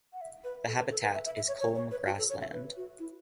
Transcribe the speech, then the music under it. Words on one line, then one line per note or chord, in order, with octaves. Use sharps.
The habitat is culm grassland.
F#5
E5
B4
A4
B4
A4
B4
E5
E5
E5
C#5
C#5
C#5
B4
F#4
A4
C#5
E5
B4
F#4
E4